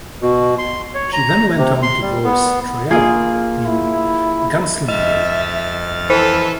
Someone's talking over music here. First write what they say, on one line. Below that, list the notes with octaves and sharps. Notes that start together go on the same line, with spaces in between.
She then went on to voice Triela in "Gunslinger Girl".
B2
C6
C#5
A#5
C3
C6
G3
B3
A#3 F4 G#4
E4
F2 D#5 E5 F6 A6
E3 A4 C5